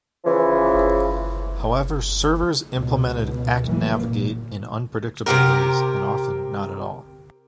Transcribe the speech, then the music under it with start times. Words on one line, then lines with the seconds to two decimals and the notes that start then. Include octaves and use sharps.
However, servers implemented accNavigate in unpredictable ways and often not at all.
0.25 C#3 E3 F3
2.74 C#2 B2
3.64 F1 E3 F#3 A#3
4.00 A#2
5.26 C3 D#3 G4 A#4